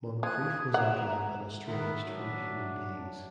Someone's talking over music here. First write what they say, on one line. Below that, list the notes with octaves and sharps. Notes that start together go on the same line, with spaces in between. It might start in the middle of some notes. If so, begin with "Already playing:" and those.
Moncreiff was outlawed and estranged from human beings.
F3 D#6 F#6 G#6
E5 F#5 A#5
D#3 B3 E5
F#3 D4